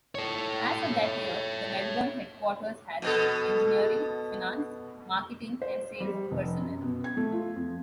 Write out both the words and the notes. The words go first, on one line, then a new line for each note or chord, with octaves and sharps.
As of that year the Melbourne headquarters has engineering, finance, marketing and sales personnel.
A4 C#5
B2 B3 A4
C5
G3
F1
F#2
B2
G#6
A3
F4
F2